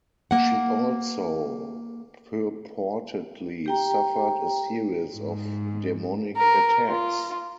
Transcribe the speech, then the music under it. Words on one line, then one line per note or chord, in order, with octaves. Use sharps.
She also purportedly suffered a series of demonic attacks.
A#3 F#5
G4 G5 A#5
G#2
A#4
F4